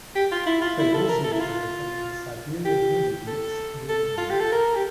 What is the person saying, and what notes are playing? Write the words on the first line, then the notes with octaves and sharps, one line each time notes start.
Trade also occurred along the Siberian River Routes' Northern Route.
G4
F4
E4
F4
E4
A4
A#4
A4
E4
F4
G4
A4
A4
F4
G4
A4
A#4
G4